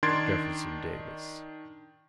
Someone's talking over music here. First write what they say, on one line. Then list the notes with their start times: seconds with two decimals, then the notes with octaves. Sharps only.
"Jefferson Davis."
0.03 D#3 D4 C6 G#6 A6 D7